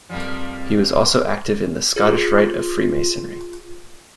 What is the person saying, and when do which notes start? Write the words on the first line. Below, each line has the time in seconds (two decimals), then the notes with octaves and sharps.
He was also active in the Scottish Rite of freemasonry.
0.09 F2 F3 G3 A#3
1.96 F4 G#4